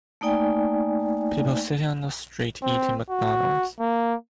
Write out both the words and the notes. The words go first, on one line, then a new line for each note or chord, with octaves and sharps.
People sitting on the street eating McDonalds.
A3 A#3 D#4 D5 G5 G#5
C4
F#4
A#3